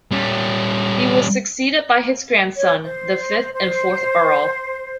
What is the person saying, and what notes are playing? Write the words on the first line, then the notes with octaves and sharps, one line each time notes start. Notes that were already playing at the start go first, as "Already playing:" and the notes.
He was succeeded by his grandson, the fifth and fourth Earl.
G3 C#4
C#5
C5
C5